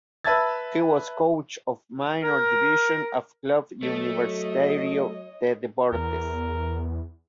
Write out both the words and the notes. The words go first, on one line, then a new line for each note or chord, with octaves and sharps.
He was coach of minor divisions of Club Universitario de Deportes.
B4 E5 A5 E6 G#6 A6
A#4
F#3 A3 C#5 D#5
E2 A#4